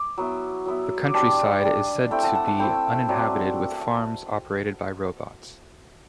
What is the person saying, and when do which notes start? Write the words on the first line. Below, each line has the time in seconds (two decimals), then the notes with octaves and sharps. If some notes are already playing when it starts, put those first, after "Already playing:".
The countryside is said to be uninhabited with farms operated by robots.
Already playing: D6
0.18 F#3 B3 E4
0.66 F#3 B3 E4
1.04 D6
1.14 G3 D4 A5 C6
1.63 G3 D4
2.11 A3 C4 E4 G5 B5
2.23 F#5 A5
2.35 F#5 A5
2.47 F#5 A5
2.59 A3 C4 E4 G5 B5
3.08 F#3 C4 E4 B4 D5